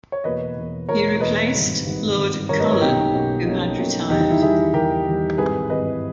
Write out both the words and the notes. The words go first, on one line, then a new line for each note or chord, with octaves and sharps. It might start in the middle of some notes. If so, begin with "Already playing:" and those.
He replaced Lord Cullen, who had retired.
C#5
E2 B2 A#3 B4 D#5
E2 B2 A#3
E2 B2 A#3 A#4 C#5
E2 B2 A#3 B4 D#5
G#1 G2 D#3
G#1 G2 D#3
G#1 G2 D#3
G#1 G2 D#3 A#4 C#5
B4 D#5
A#4 C#5
B1 B2 A#3 C#4 D#4 G4
B1 B2 A#3 C#4
B1 B2 A#3 C#4
B1 B2 A#3 C#4
E2 D#3 G3 D#4 G4
D#4
E4
E2 D#3 G3 E4 G#4
E2 D#3 G3 G4 A#4
E2 D#3 G3
G#1 G2 E3 G#4 B4
G#1 G2 E3 B4 D#5